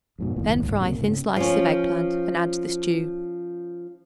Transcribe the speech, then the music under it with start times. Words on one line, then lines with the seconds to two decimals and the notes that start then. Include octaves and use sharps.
Then fry thin slices of egg-plant and add to the stew.
0.19 F2 G#2 B2
0.36 F#1 D#2 A2
0.63 C#2 G#2
0.79 D1 C#2 C3 A#3
0.98 G#2 C#3
1.36 F3 C#4